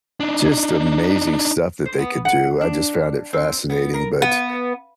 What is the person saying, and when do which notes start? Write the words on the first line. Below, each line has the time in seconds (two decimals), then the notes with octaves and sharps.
just amazing stuff that they could do, I just found it fascinating, but,
0.20 D4 D#4
1.86 C5
1.99 B3
2.25 F#5
2.61 D4
3.33 C4
3.70 B3
3.94 A#4
4.22 B3